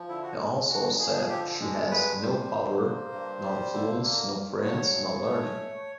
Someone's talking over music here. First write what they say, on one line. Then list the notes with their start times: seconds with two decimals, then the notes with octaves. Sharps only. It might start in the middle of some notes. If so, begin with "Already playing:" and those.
He also said She has no power, no influence, no friends, no learning.
Already playing: F3
0.08 D3 E4
0.23 F#4
0.38 G#3
0.69 G2 F#4
0.99 F3 G#4
1.14 G#4
1.29 D3 G4
1.60 G#3
1.90 G2 B4
2.21 G3 C5
2.52 D3
2.82 A#3
3.12 G2
3.43 G3
3.73 D3
4.04 A#3
4.34 G2
4.64 F#3 C#5
4.95 C#3
5.26 A3